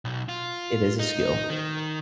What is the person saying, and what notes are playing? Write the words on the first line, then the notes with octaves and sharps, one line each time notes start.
It is a skill.
B1
F4
D#4
D#3